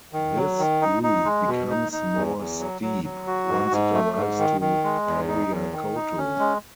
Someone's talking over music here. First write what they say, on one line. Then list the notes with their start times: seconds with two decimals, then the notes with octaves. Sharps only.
This route becomes more steep once it arrives to Pariacoto.
0.13 D#3
0.37 F#3
0.59 D#3
0.81 D#4
1.03 D#4
1.25 G#3
1.48 B2
1.70 D#4
1.92 D#4
2.14 E2
2.37 E2
2.60 F#3
2.82 F#3
3.04 F#3
3.27 F#4
3.49 G#2
3.71 G#2
3.94 A3
4.17 G#2
4.39 D#3
4.61 D#3
4.84 G#3
5.06 E2
5.28 D#4
5.51 E2
5.72 D#3
5.95 D#4
6.18 C#4
6.40 G#3